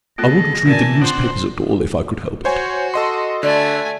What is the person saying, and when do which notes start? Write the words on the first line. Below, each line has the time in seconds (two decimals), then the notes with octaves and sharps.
I wouldn't read the newspapers at all if I could help it.
0.18 A3 B3 F4 G#4 A4 A#6
0.65 A#2 E3 F#4 A#4 D5 G#5 A5
1.01 C4 D4 F4 C5 F#5
2.45 F#4 C5 C#5 G#5
2.94 A4 D#5 C6
3.43 D3 A3 D5 G#5